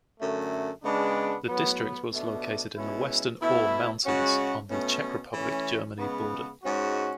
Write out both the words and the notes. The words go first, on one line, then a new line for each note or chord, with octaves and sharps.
The district was located in the western Ore Mountains on the Czech Republic-Germany border.
F#2 D3 A3
C#3 G#3 B3 D4
A2 F#3 B3
B2 A3 D4
B2 G#3 C#4 E4
B2 A3 E4
C#3 G#3 C#4 F#4
B2 A3 C#4
E3 A3 C#4
C#3 G#3 B3
G#2 G#3 C#4 F#4